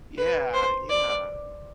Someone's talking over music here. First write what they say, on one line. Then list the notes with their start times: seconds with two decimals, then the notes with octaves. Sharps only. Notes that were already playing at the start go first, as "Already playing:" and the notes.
Yeah. Yeah.
0.18 B4
0.54 C5
0.90 D5